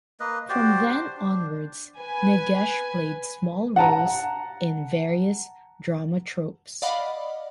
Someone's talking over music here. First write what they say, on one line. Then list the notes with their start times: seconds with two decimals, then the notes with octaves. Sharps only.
From then onwards, Nagesh played small roles in various drama troupes.
0.20 A#3 B4 D#5
0.50 F#4 G4 C5 D5
0.87 D4
1.17 D4
2.00 B4 G#5
3.76 F#5 A5 A#5
6.82 D5 D#5 F5 F#5 B5